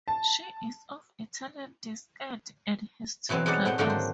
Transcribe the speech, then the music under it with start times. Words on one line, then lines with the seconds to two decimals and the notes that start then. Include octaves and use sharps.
She is of Italian descent and has two brothers.
0.08 A5
3.29 B2 E3 F#3 B3 C4
3.46 F#3 G#3 D#4 D5 F#5
3.65 A2 C4 F#5 G5
3.78 G#2 D3 D#3 F#3 A3 A#3
3.90 C5